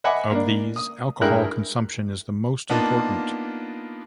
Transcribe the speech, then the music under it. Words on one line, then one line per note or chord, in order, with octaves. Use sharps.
Of these, alcohol consumption is the most important.
D#5 E5 F#5 G#5 B5 D6
A#3 D4
D#6
G2 G#3 E4 A#4 G5 F#6
A#3 B3 D4 D#4 F4 A5